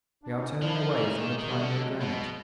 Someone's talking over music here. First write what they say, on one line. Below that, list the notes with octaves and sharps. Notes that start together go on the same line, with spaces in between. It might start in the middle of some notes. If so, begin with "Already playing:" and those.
We are turning away from the primary granite.
D4
C#4 D#4
F3 D4 E4
E3 C#4 D#4
D#3 G#3 A#3
D#3
G3 A3
D3
F#3 G#3
B2 F#3 G#3